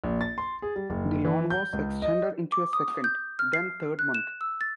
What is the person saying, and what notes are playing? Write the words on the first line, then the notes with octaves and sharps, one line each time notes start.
The loan was extended into a second, then third month.
A#1
A6
C6
G#4
G3
F#1
E3
G6
C#2
D#5
D6
D#6
G6
F6
C7
F#6
E7
E6
A6